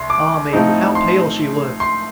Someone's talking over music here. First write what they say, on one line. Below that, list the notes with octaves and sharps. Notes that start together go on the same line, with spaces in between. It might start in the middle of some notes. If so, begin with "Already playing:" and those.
Ah me, how pale she looked!
Already playing: C2 C6
D6
A2 F3 C4 D#4
C6
C6